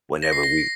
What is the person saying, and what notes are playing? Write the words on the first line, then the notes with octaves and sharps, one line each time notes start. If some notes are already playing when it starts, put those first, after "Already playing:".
Whenever we
A#6
C7
A#6